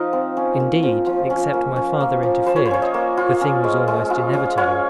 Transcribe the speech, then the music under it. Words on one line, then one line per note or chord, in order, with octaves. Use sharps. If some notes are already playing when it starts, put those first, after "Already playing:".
Indeed, except my father interfered, the thing was almost inevitable.
Already playing: F3 D#4 D#5 F5
C4
C#4
A#3
F3
F3
C#4
A#3
C#4
A#3
F3
F3 C5
C#5
C5
C#4 C#5
D#5
A#3
F4
C#4
G#3
G#3
F4
C#4
F4 C#5